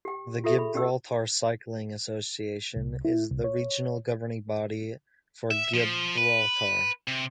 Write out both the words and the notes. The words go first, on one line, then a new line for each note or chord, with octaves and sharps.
The Gibraltar Cycling Association is the regional governing body for Gibraltar.
G4 G5
F4 G4 A4 E5
G#4 B5
C#4 G4 D5 G5 E6
C2
E4
C2
C#5
E5
F3
B4
C3